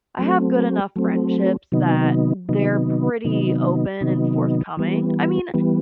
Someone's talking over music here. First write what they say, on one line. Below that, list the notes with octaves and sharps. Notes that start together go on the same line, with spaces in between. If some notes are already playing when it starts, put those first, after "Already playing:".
I have good enough friendships that they're pretty open and forthcoming. I mean,
F#3 A3 C4
F#3 A3 C4
C3 D#3 F#3 B3 D#4
C3 D#3 F#3 B3 D#4
C3 D#3 F#3 B3 D#4
C3 D#3 F#3 B3 D#4
E3 G3 B3
E3 G3 B3